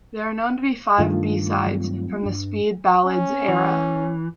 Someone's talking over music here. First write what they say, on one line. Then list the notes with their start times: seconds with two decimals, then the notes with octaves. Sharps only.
There are known to be five B-sides from the "Speed Ballads" era.
0.98 G2 D#3 A3 D4 F4
1.67 F#3 G3 C4
2.23 G2 D4
3.05 C#4
3.48 E3